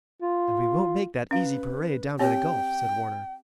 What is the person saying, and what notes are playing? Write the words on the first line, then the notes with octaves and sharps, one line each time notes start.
"And we won't make that easy parade down to the Gulf," said Warner.
F4
C#4 B4 F5
C4 G4 C#5 G5